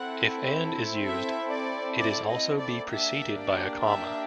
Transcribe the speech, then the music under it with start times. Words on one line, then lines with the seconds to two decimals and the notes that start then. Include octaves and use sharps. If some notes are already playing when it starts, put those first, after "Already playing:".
If "and" is used, it is also be preceded by a comma.
Already playing: C4 E4 A4 F#5
1.04 E5
1.51 D5
1.97 D5
2.29 D#5
2.58 D5
2.90 A#3 D4 G4 E5
3.36 D5
3.81 E5